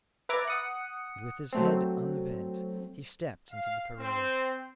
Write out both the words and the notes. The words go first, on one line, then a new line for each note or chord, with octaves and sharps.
And with his head unbent, he stepped into the pirogue.
B4 E5 A#5 D6 G#6 A6
F#5 D#6 C#7
F#3 A3 C4
F5
C4